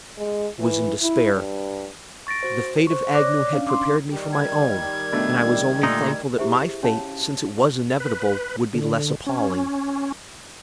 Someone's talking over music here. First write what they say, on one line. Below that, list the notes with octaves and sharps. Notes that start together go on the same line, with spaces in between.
I was in despair. The fate of Agnew had prepared me for my own, and I was only thankful that my fate, since it was inevitable, would be less appalling.
G#3
E3
E4
G2
C#6 A6 A#6 D7
F#4 C5
C5 C#6
C#5 D5 D6 F#6 A#6
C#4 D4 F5
C6 D6
D#3 G3
G#6
B2 A3 D4
A#2 D3 A3 D#4
E4 G4 G#4 C5 E5
C#4 F#4 C#5 F5 A5
B4
D3
C#4